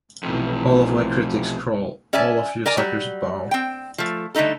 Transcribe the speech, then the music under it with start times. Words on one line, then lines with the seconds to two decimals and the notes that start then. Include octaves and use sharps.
All of my critics crawl... All of you suckers bow...
0.23 B1 F2 C3 E3
2.13 C#4 D5 E5 G#5 A5
2.66 A#4 D5 G#5
2.77 F#3 G3
3.51 C4 G5
3.98 F3 A3
4.35 D3 G3 A3 D#4 A4